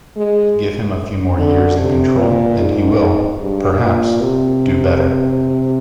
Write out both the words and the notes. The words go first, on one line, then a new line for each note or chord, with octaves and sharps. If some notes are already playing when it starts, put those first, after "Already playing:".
Give him a few more years in control and he will, perhaps, do better.
G#3
D3
C3
A#2
G#2
G2
A#2
C3